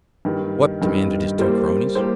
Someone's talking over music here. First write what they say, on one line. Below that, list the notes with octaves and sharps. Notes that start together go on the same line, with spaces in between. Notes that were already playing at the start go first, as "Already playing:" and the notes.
"What?" demanded his two cronies.
G2 D#3 G3
G2 D#3 G3
G3 A#3 G4 C5
G3 A#3 G4 C5